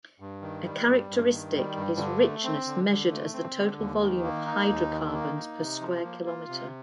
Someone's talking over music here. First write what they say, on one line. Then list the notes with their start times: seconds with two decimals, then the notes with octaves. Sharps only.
A characteristic is richness measured as the total volume of hydrocarbons per square kilometer.
0.20 G2
0.42 D#3
0.64 G3
0.87 G2
1.10 G2
1.32 D#3
1.54 G3
1.77 G2
1.99 D3
2.21 A3
2.44 C4
2.67 D3
2.89 D3
3.11 A3
3.34 C4
3.56 D3
3.79 D#2
4.01 D#3
4.23 A#3
4.46 D#4
4.69 D#2
4.91 D#3
5.13 A#3
5.36 D#4
5.58 C3
5.81 F3
6.03 A#3
6.26 F4
6.48 C3